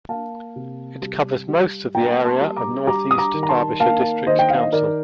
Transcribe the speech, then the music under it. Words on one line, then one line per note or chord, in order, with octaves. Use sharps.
It covers most of the area of North East Derbyshire District Council.
A#3 F5 A5
C3
G3
G3
A#3 G5 A#5
A5 C6
G3
A#5 D6
G3 A#5 D6
D#6
A#5 D6
D#3
A#5
A5 C6
A#3 F5 A5
D#3 C5 D#5
G5
F5
D#5
D#3 A#4 D5